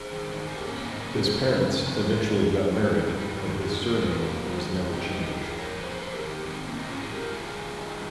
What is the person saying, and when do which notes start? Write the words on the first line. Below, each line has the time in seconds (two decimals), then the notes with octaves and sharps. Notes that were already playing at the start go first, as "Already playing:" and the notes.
His parents eventually got married but his surname was never changed.
Already playing: G#4 C5
0.12 D#3
0.33 D#3
0.47 G#4
0.55 G#2 G4 A#4
0.66 A#3 C#4
0.77 G#2 A#3 C#4
0.88 C4 D#4
0.98 C#3 A#3 C#4
1.09 A#3 C#4
1.21 F2 G#3 C4
1.32 G3 A#3
1.43 C#3
1.64 F2
1.86 D#3 G#3
2.08 G#2 G#3
2.30 G2
2.52 G2
2.74 D#3 G3
2.84 G#3
2.93 G#2 G3
3.17 G#2 G3
3.40 D#3
3.61 D#3 G#3
3.83 D#3 A#3
3.97 G#3
4.05 F2
4.11 G3 A#3
4.26 C3
4.49 D#3 G#3 C4
4.71 G2
4.92 G2 D#4 G4
5.14 G2
5.36 F2 F4 G#4
5.58 F2 A#4 C#5
5.79 F2 G#4 C5
5.91 G#4 C5
6.02 F2 G#4 C5
6.12 G4 A#4
6.23 D#3 D#4 G4
6.45 D#3 C4 D#4
6.68 D#3 A#3 C#4
6.78 C4 D#4
6.89 G#2 C#4 F4
7.00 F4 G#4
7.11 G2 G4 A#4
7.33 G2 F4 G#4
7.55 G2
7.77 D#3